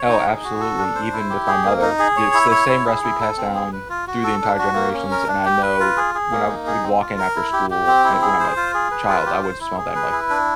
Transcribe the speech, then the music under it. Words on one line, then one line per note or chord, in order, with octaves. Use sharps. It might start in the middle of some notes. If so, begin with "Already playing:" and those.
Oh, absolutely, even with my mother, it's the same recipe passed down through the entire generations, and I know when I w would walk in after school, uh, when I'm a child, I would smell that, I'm, like,
Already playing: C#5
D#4
G#4
F#4
A4
D4
C5
E4
G4
G#4
A#3
D#4
G#4
C#5
E4
C#5
E4
G#4
E4
A4
C4
G#4
B4
F4
F#4
A4
D4
F#4
A#3
C#4
A#4
D4
G4
B4
F4
G#4
G#4
A#3
D#4
G#4
C4
F4
A#4
E4
G4
G4
C4
E4
G#4
C5
F4
G#4
B4
F4
G4
C5
E4
G#4
B4
E4
D4